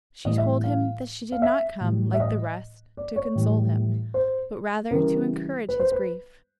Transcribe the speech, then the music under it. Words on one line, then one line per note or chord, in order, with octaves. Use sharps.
She told him that she did not come, like the rest, to console him, but rather to encourage his grief.
A2 E3 G3 D#5
E5
F5
F5
E5
A2 E3 G3
E5
D#5
D5
C#5
A2 E3 G3
C5
C#3 E3 G3 A#4
B4
C5
B4